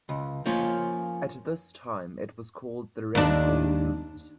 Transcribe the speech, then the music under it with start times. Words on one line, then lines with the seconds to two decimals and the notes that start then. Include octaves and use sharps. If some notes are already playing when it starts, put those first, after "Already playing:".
At this time it was called the Red Ball Route.
0.09 C#2
0.46 F3 A#3 C#4 F4
3.15 D#2 D4